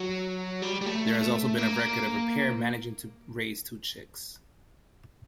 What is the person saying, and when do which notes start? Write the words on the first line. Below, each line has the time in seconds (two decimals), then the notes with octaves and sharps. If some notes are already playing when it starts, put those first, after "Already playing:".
There has also been a record of a pair managing to raise two chicks.
Already playing: F#3
0.62 G3
0.81 G3
0.86 A3
1.57 A#3